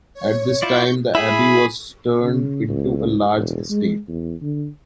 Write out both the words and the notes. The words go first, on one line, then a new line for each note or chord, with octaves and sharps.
At this time, the abbey was turned into a large estate.
C#5
E4 F4 D5 C#6 G6
E4 G#4 B5
C#3
C#2
E1
G#3
E2
D3